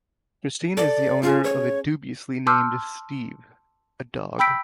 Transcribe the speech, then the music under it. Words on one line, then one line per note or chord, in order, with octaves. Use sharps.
Christine is the owner of the dubiously named Steve, a dog.
A4 D5
C#4 F4 G#4
C#5
A5 C6 D6 E6 F6 G6
G5 B5 E6 G6 B6 D7